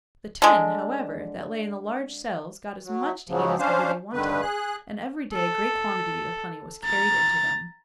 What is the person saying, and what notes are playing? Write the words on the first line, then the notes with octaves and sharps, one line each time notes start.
The ten, however, that lay in the large cells got as much to eat as ever they wanted, and every day a great quantity of honey was carried in to them.
D3 G#3
F#3
G#2 C#3 F3 F#3
C#4 D4 C5 F5
G2 D3 D#3 B4
G#4 F#6
A4
A#5 A6